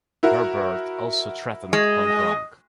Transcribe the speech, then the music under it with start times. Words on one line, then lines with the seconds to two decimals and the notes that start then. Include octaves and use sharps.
Herbert also threatened Hong Kong.
0.23 E4 F#4 A#4
1.73 G#3 D#5